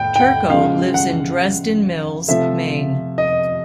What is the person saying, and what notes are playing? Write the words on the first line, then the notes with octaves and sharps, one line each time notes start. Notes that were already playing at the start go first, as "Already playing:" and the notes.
Turco lives in Dresden Mills, Maine.
Already playing: A2 G5
G5
F#5
C#3 F3 G#3 F5
F#5
C3 F3 A3 E5
D#5